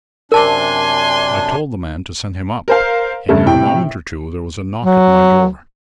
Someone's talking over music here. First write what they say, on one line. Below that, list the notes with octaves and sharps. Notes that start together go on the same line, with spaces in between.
I told the man to send him up, and in a moment or two there was a knock at my door.
F#2 C3 D4 A#4 G#5 A5 C6 D6
A#4 C5 F5
G2 C#3 A3
A2 C3 G5
F#3